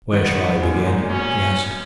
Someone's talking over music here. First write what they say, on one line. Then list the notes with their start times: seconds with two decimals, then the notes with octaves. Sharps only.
"Where shall I begin?" he asked.
0.12 D#3 B3
0.61 F#2
0.73 A#2
0.85 G#2
0.97 E2
1.09 F#2 C#4